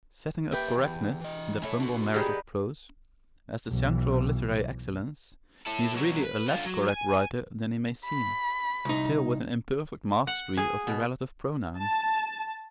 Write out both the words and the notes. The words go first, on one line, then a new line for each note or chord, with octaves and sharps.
Setting up correctness, that humble merit of prose, as the central literary excellence, he is really a less correct writer than he may seem, still with an imperfect mastery of the relative pronoun.
A#3 G4 B4 E5 G5
E2
E3 D#5
A2 E3 A3 C#5
B2 D4 F#4
D#3 G3 B3 G4 G#4
B1 E3
E4 A4
B1 F#3
B4
D3 F4
F#3
G#5
B5
C2 D#4
F#5
G#4
B2
A5